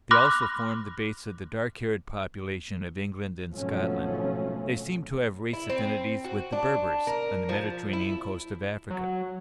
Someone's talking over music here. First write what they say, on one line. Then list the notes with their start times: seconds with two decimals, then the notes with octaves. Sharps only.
They also formed the base of the dark-haired population of England and Scotland. They seem to have race affinities with the Berbers, on the Mediterranean coast of Africa.
0.11 B5 C6 D6 F6 F#6 A#6
3.51 G#1 B2 F3 F#3 A3 C#4
5.53 E4
5.70 C4
6.24 F#4
6.52 D4
7.07 A#4
7.49 F3
7.93 E4
8.90 F#3